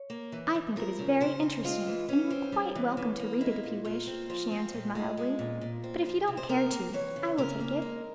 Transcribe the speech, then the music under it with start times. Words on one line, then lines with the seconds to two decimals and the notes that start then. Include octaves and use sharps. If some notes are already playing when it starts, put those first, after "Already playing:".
"I think it is very interesting, and you are quite welcome to read it if you wish," she answered mildly; "but if you don't care to, I will take it."
Already playing: C#5
0.10 A#3
0.32 E3
0.55 E3
0.76 F3 A#4
0.99 C#3
1.21 C#3 C5
1.42 C4
1.64 G#3 F4
1.87 E3
2.08 E3 C#4
2.30 C4
2.52 G3
2.75 E3
2.97 E3
3.19 A#3
3.41 G#3 E4
3.63 A#2
3.85 A#2 F4
4.07 C4
4.29 F3 F4
4.51 C4
4.73 A#2
4.95 G#3
5.17 G#3
5.39 A#2
5.61 A#2
5.84 C4
6.06 F3
6.27 C3
6.37 C5
6.49 C3 A#4
6.72 A#3
6.93 E3 C#5
7.16 C#3
7.38 C#3 A#4
7.60 A#3
7.82 G#3